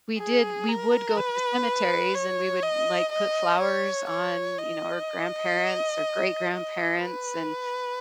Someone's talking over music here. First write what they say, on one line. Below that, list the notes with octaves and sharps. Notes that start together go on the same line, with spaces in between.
we did we would go to the cemeteries and we would, like, put flowers on, you know, our grandparents or great grandparents, and,
G#4
A#4
B4
C#5
D#5
D#5
C#5
C#5
D#5
D#5
B4